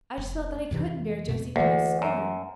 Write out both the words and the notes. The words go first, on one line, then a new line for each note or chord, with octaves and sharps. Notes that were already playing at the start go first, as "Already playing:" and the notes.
I just felt that I couldn't bear Josie Pye's scorn.
F1
F2 C3 E3
F2 B2
D2 E3 A#3
F#2